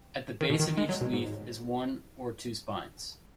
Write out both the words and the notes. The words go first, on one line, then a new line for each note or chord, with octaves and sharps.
At the base of each leaf is one or two spines.
D#3
B2
D#3
G#3
F#3
B2
G#2